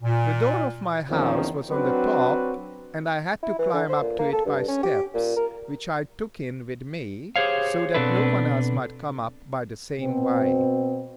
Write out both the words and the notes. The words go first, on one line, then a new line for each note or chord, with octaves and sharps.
The door of my house was on the top, and I had to climb up to it by steps, which I took in with me, so that no one else might come up by the same way.
A#2
E2 D#3 F3 A#3 C4 C#4
F#3 C4 D4 F#4 B4
E4
E3
D3
C5
A#2
A#3
A4
G2
C#4
G4
A#2
A#4
G4 G#4 C5 C#5 F5
B2 C4 D4 A4 B4
B2 C4